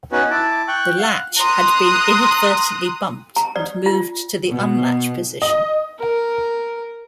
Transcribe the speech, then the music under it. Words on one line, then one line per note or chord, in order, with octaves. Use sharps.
The latch had been inadvertently bumped and moved to the unlatch position.
B3 C#4 D#4 F#4 B4
E4 A5 D6
G5 C#6 F#6
F5 F#5
A#5 C6 D#6 F#6
A#5
D5
F4
B2
D#5
A#4